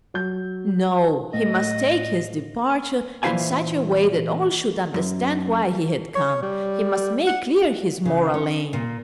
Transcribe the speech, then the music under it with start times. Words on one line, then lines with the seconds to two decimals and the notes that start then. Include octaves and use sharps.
No, he must take his departure in such a way that all should understand why he had come, he must make clear his moral aim....
0.14 F#3 G6
1.34 A2 D#5
3.23 A#2 E3 E4 C5 F5 G#5
4.94 F#2
6.15 C#5
6.42 G3
7.27 F#5
8.05 C#3
8.34 C#4
8.73 A#2